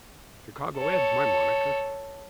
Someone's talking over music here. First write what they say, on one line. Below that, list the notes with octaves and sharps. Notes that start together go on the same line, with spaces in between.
"Chicago Ed.'s my monaker."
A4 C#5